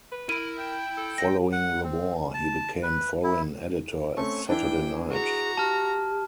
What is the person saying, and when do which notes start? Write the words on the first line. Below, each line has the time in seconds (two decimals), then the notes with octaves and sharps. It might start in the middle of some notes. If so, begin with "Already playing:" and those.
Following the war, he became Foreign Editor at Saturday Night.
0.12 B4
0.29 E4 A#4 B5 D7 D#7
0.58 G5
0.97 A4
1.18 A#6
1.52 F#5
1.84 C4
2.34 A5
2.83 B4
3.24 E4
4.17 A3 C4 C#4 C#6
4.48 E3 D4 E4 G5
5.09 F#4 G#4 A#5
5.57 G4 A5 F6